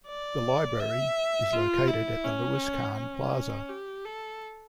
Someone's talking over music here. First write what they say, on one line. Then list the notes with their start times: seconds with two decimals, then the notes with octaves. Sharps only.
The library is located at the Louis Kahn Plaza.
0.08 D5
0.80 E5
1.53 F4
1.88 E4
2.25 C#4
2.97 C#4
3.69 G4
4.05 A4